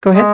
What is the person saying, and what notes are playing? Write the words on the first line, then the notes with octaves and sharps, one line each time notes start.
Go ahead.
G#3